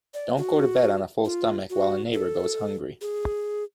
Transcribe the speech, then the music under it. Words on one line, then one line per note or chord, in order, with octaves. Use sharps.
Don't go to bed on a full stomach while a neighbour goes hungry.
D5
F#4
F4
F#4
A4
G#4